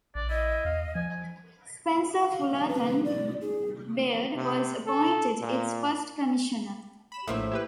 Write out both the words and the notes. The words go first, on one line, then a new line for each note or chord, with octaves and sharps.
Spencer Fullerton Baird was appointed its first commissioner.
A#1 D5
E4 D#5
E2 F5
F3 G#5
F5
B4
D5
G#4
C3
A4
A#2
B5 E7
A#1 A2 A#3 C4 E5
E4 G4 B4